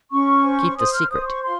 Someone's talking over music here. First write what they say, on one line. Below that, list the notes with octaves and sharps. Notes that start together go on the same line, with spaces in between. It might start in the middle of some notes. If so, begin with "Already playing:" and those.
Keep the secret.
C#4 C#6
C5
C5 D#6
F6
C5 D#6
C#6
F4 C6